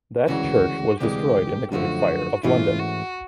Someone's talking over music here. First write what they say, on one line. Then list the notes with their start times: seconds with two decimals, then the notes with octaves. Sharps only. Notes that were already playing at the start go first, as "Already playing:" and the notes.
That church was destroyed in the Great Fire of London.
0.27 D2 C#3 E3 G#3 F#4
1.00 D2 C3 E3 G#3 G4
1.72 F#2 D3 F3 A3 F#4
2.43 G#2 E3 A3 C#4 E4 F4
2.80 F#4